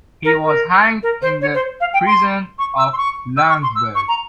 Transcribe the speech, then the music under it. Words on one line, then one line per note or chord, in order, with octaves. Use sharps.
He was hanged in the prison of Landsberg.
A#4
A#4
A#4
C5
C#5
C5
F5
G5
C6
C#6
E6
C6
C#6
E6
C#6
C6
E6
C#6
A#5